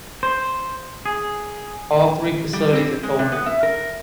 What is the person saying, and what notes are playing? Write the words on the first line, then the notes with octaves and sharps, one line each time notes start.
All three facilities are toll-free.
C5
G#4
G3
C4
G#3
C3
B3
E5
A#4